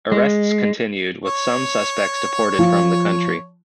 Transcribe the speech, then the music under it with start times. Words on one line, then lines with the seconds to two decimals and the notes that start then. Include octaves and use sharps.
Arrests continued, with some suspects deported from the country.
0.12 G#3
1.25 C#5
2.59 F3